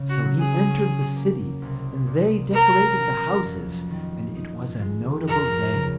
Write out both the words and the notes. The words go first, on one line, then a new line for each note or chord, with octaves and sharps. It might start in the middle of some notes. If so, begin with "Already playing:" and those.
So he entered the city, and they decorated the houses and it was a notable day.
Already playing: C#3
F#4
F#3
G#4
C#4
A#3
C2
A#2
C#4 A#4
F#3
F2
D#3
D#4
G#3
F2 A#4
C#3